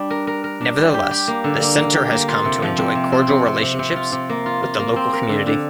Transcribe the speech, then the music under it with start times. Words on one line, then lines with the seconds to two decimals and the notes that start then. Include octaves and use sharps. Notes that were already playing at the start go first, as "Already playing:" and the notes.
Nevertheless, the centre has come to enjoy cordial relationships with the local community.
Already playing: G3 D4
0.10 A#4
0.27 A#4
0.44 A#4
0.61 D4
0.78 G3
0.94 G4
1.11 G4
1.28 A#3
1.44 D3
1.61 A#3
1.78 A#3
1.95 G4
2.11 A#3
2.28 F4
2.45 C3
2.62 F3
2.78 C4
2.95 C3
3.12 C4
3.28 C3
3.46 C3
3.62 C3
3.79 C3
3.96 F4
4.12 C3
4.29 A#3
4.46 F4
4.63 F4
4.79 A#3
4.96 C4
5.13 A#4
5.29 D3
5.47 D3